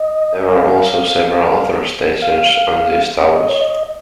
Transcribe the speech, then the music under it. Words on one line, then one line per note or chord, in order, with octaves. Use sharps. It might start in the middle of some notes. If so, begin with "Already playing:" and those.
There are also several other stations on these towers.
Already playing: D#5
F5
F5
D#5
C#5
D#5